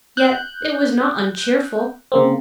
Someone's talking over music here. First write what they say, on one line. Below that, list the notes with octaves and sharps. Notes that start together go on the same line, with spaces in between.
Yet it was not uncheerful.
F#6 G6
C#3 A#3 C4